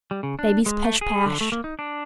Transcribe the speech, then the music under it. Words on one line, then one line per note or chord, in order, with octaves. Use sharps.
Baby's Pesh-Pash.
G3
C#3
D4
G#3
A3
G#4
D3
A3
A#3
D#4
D4